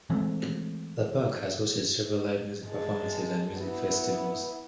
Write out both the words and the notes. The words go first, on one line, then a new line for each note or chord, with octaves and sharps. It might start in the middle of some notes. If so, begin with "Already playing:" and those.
The park has hosted several live music performances and music festivals.
E3 G#3 A3 C4
G#3 A5
B3 E4